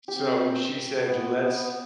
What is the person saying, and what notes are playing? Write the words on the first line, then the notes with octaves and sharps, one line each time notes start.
So she said, "Lets"
C4 G4
B3